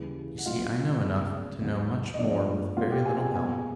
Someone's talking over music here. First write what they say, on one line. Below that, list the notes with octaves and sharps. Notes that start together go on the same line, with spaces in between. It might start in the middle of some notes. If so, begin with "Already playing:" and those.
You see I know enough to know much more with very little help.
Already playing: D#2 C#3 E3 G3
F#5
A2 F#3 B3 F4 F5
D2 C#3 F#3 A#3 B3 B4
D#2 D#3 F#3 B3
D#5
A2 F3 G#3 B3 D4 D5
A#2 G3 A#3 F4 F5
G4 G5
G#4 G#5
G#4 G#5
B2 G3 B3 G#4 G#5